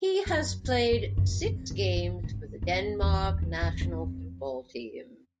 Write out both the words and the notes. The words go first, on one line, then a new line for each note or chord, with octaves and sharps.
He has played six games for the Denmark national football team.
F#2
F#2
G2
F#2
F2
G2
G#2
G#2
F2
E2
F2
E2
F2
F2